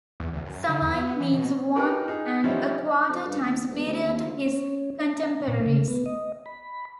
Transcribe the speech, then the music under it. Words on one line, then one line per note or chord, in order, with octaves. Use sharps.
"Sawai" means one and a quarter times superior to his contemporaries.
E2
D2
F#2
D3
E2
B3
E3
B2
D#4 G4 A#4 B4
D#4 G#4
F3 G3 C#4 D#4 E4
F2
G2
D#2
E1
D2
D#2
D2
C#4
A#5
A#2
C#3
B3
D#5
B5